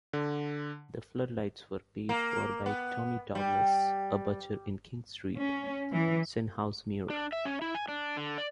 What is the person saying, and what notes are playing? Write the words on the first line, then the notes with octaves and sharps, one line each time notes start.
The floodlights were paid for by Tommy Douglas, a butcher in King Street, Stenhousemuir.
D3
A#3
B3
G3
C#4
E3
D4
E5
C#4
E4
G#5
D4
D3
D5